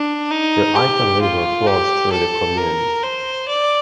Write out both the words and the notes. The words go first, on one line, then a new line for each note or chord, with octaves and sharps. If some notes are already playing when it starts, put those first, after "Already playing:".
The Iton river flows through the commune.
Already playing: D4
D#4
G4
F4
G4
A4
A#4
C5
D5